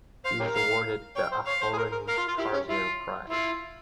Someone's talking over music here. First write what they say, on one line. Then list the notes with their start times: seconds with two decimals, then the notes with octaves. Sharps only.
He was awarded the Aharon Karzir Prize.
0.25 C5 F5
0.40 C#4 G4 A#4
0.55 F5
1.16 C#5 G5
1.32 C5
1.47 C#5 F5
1.61 C5
1.73 G#4
1.78 A#4
1.92 A#4
2.08 A#4 F5
2.18 F4
2.28 F4
2.38 E4 G4
2.53 C#4
2.69 E4 F4
3.30 E4 F4